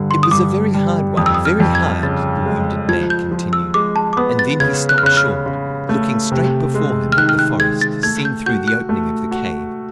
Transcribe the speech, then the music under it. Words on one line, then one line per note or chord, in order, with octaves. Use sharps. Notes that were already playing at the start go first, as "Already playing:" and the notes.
"It was a very hard one--very hard!" the wounded man continued, and then he stopped short, looking straight before him at the forest, seen through the opening of the cave.
Already playing: G2 D3
C6
D#6
G2 D6
G3
F2 D#6
E6
D#6
F6
F2
G#6
C#3 A6
G#3
F3 G#6
G6
F3
E6
G#3 D6
A5
D6
B3 D#6
A6
C#3 G#6
F#6
F6
C#3 F#6
F6
C#3
A3
C3
G#3
F6
D#3 F#6
F6
F#6
G#3 G#6
A6
A3 G#6
G6
F#4 G6
F#6
A3
F#4